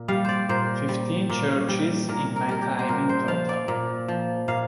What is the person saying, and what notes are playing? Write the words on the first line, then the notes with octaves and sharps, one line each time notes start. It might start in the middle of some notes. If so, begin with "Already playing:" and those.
Fifteen churches in my time in total.
Already playing: A#2
G3 F5
C5 D5
A#2 C5
G3
A#2
G3
A#2 A#4
A#4
G3 A#4
G4
C5
A#2 A#4
C5
F3 F5
D5
A#2
F3
A#2 F5